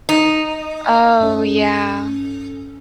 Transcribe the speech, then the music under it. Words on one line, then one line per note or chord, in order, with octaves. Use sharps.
Oh, yeah.
D#4
G2 C#4 A4